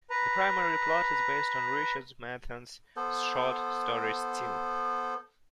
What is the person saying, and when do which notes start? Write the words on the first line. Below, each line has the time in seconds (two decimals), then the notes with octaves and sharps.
The primary plot is based on Richard Matheson's short story "Steel".
0.10 B4 A#5
2.96 B3 A4 C5